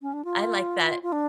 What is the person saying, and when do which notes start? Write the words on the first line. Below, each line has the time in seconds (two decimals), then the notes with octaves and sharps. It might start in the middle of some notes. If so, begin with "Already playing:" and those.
I like that
0.02 C#4
0.13 D4
0.25 F4
1.03 F4
1.12 D4